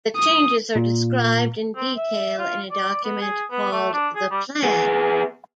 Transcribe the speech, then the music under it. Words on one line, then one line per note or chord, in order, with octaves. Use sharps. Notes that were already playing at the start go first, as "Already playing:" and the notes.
The changes are described in detail in a document called "The Plan".
D#6
A#2
C4
E5
F4
D5
B3
G#4
B3
A3
D4
G#4
G3
B3 G#4